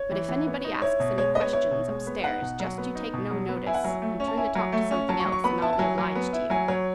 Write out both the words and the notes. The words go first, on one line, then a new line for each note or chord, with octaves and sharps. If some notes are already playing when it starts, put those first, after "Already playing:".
But if anybody asks any questions upstairs, just you take no notice, and turn the talk to something else, and I'll be obliged to you.
Already playing: C#5
E3
E3
B3
D#4
E4 C#5
B2
G#3 C#5
B3 D#5
C#5
E4 C#5
B2
G#3
B3
D#4 F#5
B2
F#3
B3
D#4
B2
F#3
B3
E4 G#5
F#5
F#3 G#5
A3
C#4
A5
E4 G#5
F#3
A3
C#4
F#3 A5
C#6
F#3
C#6
B3 B5
E4 A5
A5
F#3 G#5
F#3
B3
E4
F#3 G#5
F#3 C#5